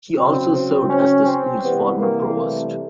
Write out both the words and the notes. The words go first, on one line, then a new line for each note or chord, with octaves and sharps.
He also served as the school's former provost.
C#3 F#3 C4
C4
C#4
C4
C3 E3 G3 B3
A#3
A3